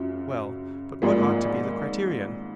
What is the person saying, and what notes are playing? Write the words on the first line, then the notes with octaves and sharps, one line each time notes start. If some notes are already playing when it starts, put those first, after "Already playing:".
Well, but what ought to be the criterion?
Already playing: F#2 C#3 F3
G#1 G#2 F3 A#3